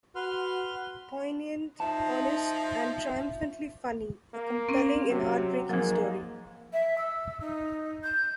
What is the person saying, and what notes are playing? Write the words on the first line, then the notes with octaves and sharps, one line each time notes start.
Poignant, honest and triumphantly funny... A compelling and heartbreaking story.
F#4 B4 C6 F6
F3 D#4 E5 A5
A#3
C4 C#4
C3 F#3
G#2 F3 F#3 A#3
E5
E6
D#4
G6